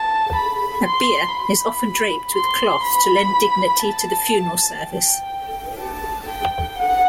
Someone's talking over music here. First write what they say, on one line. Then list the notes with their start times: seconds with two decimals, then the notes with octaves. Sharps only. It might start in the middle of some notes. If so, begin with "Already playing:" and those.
A bier is often draped with cloth to lend dignity to the funeral service.
Already playing: A5
0.36 B5
0.85 C6
1.34 B5
2.33 C6
2.83 B5
3.82 A5
4.80 G5
5.79 A5
6.29 G5
6.79 F#5